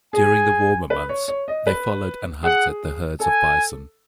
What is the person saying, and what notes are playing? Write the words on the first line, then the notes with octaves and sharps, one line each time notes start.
During the warmer months, they followed and hunted the herds of bison.
G#4 G#5
B4
C#5
C#5
D#5
B4
G#4 F#5
A4 G#5